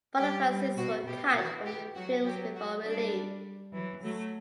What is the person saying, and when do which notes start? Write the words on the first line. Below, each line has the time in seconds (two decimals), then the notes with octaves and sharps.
Both of her scenes were cut from the films before release.
0.18 G3 G4
0.47 G3
0.77 B2 F#4
1.06 B2 G4
1.37 E3 F#4
1.66 G4
1.96 F#3 F#4
2.25 F#3 G4
2.56 F#4
2.85 G3 D4
3.74 E3 F#3
4.04 F#3 A3